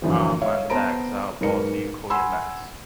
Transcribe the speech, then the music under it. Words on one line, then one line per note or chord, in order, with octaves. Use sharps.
Arm and legs are about equal in length.
F#2 D3 E3 F3
C#5 E5 F5
B3 C5 A5 A#5 D7
B1 G#2 A#4 B4 C#7
F#5 G#5 B5 C6 E6